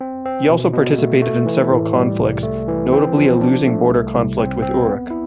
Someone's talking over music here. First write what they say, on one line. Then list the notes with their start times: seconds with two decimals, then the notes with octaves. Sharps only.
He also participated in several conflicts, notably a losing border conflict with Uruk.
0.01 C4
0.25 C4
0.50 B2
0.73 B2
0.98 A3
1.22 A3
1.46 E3
1.71 A2
1.95 G3
2.20 C2
2.43 A3
2.68 E3
2.93 C4
3.17 F3
3.41 D4
3.66 A3
3.90 C2
4.14 C2
4.39 C4
4.62 C4
4.87 B3
5.10 E4